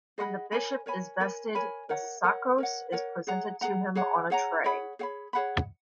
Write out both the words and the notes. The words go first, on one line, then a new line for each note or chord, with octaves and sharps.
When the bishop is vested, the "sakkos" is presented to him on a tray.
G#4 D#5 F#5 B5
A#4 C#5 G#5 B5
A#4 C#5 G#5 B5
A#4 C#5 G#5 B5
A#4 C#5 G#5 B5
A#4 C#5 F#5
A#4 C#5 F#5
A#4 C#5 F#5
A#4 C#5 F#5
G#4 C#5 F#5 A#5
G#4 C#5 F#5 A#5
G#4 C#5 F#5 A#5
G#4 C#5 F#5 A#5
G#4 C#5 F#5 B5
G#4 C#5 F#5 B5
G#4 C#5 F#5 B5